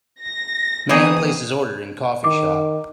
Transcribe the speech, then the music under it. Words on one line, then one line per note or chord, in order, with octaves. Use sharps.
Man places order in coffee shop.
A#6
E3 B3 C4 D#4 G#4 D#6
D#3 D6